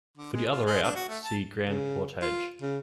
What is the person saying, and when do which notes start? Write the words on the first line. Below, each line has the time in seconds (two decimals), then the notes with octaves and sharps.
For the other route see Grand Portage.
0.17 D3
0.33 G#3
0.51 F4
0.66 G#3
0.83 D4
0.95 F#4
1.09 A3
1.23 A5
1.68 C#3
2.22 F4
2.62 C#3